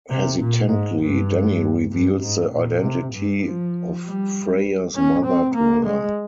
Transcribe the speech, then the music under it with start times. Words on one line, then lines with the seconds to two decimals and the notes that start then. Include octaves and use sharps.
Hesitantly, Danny reveals the identity of Freya's mother to her.
0.09 C3
0.40 A#2
0.70 G#2
1.01 G2
1.91 G2
2.22 G#2
2.52 A#2
2.82 C3
3.13 G2
3.43 F3
4.04 G3
4.95 C#4
5.25 C4
5.55 A#3
5.86 G#3